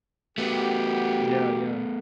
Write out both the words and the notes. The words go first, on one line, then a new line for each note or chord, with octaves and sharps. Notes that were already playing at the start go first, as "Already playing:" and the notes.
Yeah, yeah.
A3 B3 F#4 G4